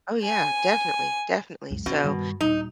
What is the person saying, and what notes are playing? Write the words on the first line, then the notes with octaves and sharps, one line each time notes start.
Oh, yeah, definitely, definitely, so,
G#5
C#2 F#2
B2 C#4
G2 D#3
D#1 D#4